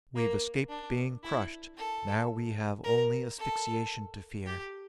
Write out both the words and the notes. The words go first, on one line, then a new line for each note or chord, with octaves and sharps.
"We've escaped being crushed. Now we have only asphyxiation to fear."
A#3
D4
E4
A4
A#4
A4
G4